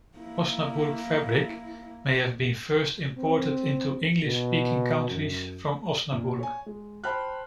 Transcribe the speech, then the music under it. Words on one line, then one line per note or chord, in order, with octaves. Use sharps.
Osnaburg fabric may have been first imported into English-speaking countries from Osnaburg.
A#3 E4
C4
B2
F#2
A#2
C#5 G#5
G#3
C5 G5 A5 B5 F6 F#6